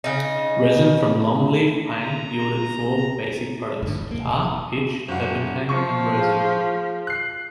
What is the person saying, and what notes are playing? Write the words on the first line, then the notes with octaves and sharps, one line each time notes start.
Resin from longleaf pine yielded four basic products: tar, pitch, turpentine and rosin.
C#3 D#4
A#5
G#2 D3 E4
D#2
C3 A#3
E1
F#1 F#4
F3 C#6
G#4 F5
F#6 C7